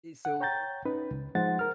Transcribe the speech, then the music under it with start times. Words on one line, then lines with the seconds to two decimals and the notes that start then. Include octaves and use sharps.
So, i
0.25 F#5
0.41 C#5 G5 A#5 G6 A6
0.85 C#4 D#4 B4
1.11 C#2
1.35 F3 G#3 D#4 C5 F#5 A6
1.59 A#4 F6